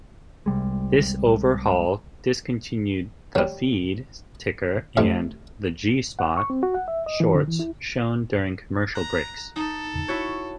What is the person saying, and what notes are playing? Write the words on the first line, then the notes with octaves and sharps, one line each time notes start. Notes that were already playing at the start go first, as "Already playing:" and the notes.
This overhaul discontinued "The Feed" ticker, and the "G-Spot" shorts shown during commercial breaks.
C2 C3 G3 G#3
F#3 G3
F2 C3 A3 C4
F#5
C#6
C4
F#4
F#5
E5
D#5
E3
D3
E3
E4
A#5 F#6
D#4 A4
E4 F#4 C#5